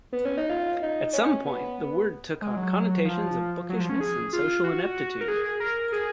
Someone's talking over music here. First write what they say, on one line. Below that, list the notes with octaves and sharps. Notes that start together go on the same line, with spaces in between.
At some point, the word took on connotations of bookishness and social ineptitude.
B3
C#4
D#4
F4
D#4
C#4
B3
G#3
F#3
F#3
F3
F#3
F3
C#4
G#4
F4
F#4
A#4
G#4
A#4
G#4